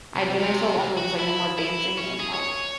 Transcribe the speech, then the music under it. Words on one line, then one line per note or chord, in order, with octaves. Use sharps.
I'd been there so long there was, like, no more advancing and, like,
C2
C3
C#2
F#4
E4
E4
C#4
G#4
C#5